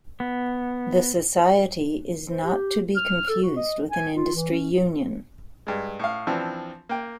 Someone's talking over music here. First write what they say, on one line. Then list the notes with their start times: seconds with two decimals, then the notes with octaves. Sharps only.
The society is not to be confused with an industry union.
0.20 B3
2.29 C5
2.44 G4
2.96 F6
3.29 A4
3.43 F#4
3.56 D#5
3.91 G#5
4.15 F4
4.35 E3
4.51 C#4
5.67 G2 G#3
5.99 A2 F5
6.27 E3 F3 C4 D4
6.89 A#3 G5